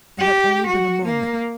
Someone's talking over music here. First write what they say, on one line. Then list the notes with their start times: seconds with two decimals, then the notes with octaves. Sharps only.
It had only been a moment.
0.19 G4
0.66 F#4
1.05 A#3